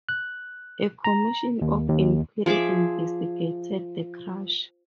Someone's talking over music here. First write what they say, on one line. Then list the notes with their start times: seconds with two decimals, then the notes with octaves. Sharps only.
A Commission of Inquiry investigated the crash.
0.09 F#6
1.04 A#5
1.61 D#2
1.89 D#2
2.46 F3 G#4 E5 D6